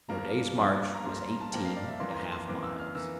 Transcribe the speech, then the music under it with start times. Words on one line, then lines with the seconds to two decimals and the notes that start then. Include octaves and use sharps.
Our day's march was eighteen and a half miles.
0.09 G2 F3 A#3 A#5
0.57 G2 F3 A#3
0.94 A#5
1.04 G2 F3 A#3 C6
1.17 C6
1.28 A#5
1.41 A5
1.52 G2 F3 A#3 G5
1.65 F5
1.77 D5
1.88 E5
2.00 F2 E3 A#3 C6
2.11 A#5
2.16 C6
2.32 C6
2.48 F2 E3 A#3 D6
2.63 E6
2.79 F6
2.95 E3 A#3 E6